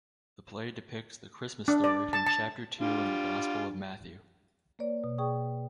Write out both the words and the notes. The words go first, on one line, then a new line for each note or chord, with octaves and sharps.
The play depicts the Christmas story from chapter two in the Gospel of Matthew.
D4
D5
A5
A5
G3 D4 F4
A#3 B4 C#5 D5
B2
G#4 D5 G5 C#6 D#6